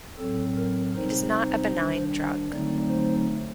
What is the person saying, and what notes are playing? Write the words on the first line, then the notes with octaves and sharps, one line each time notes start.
It is not a benign drug.
A2 F#3 C4 A4
A#4
C3 G3 C4 D#4 C5
D#3 G3 D4
D3 F#3 A3 C4 D#4 D5
C5